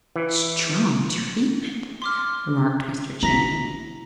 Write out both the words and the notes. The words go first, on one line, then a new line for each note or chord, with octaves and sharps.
"Strong treatment!" remarked Mr. Channing.
E3
C6 D6 F6
E4 A#5 A#6 B6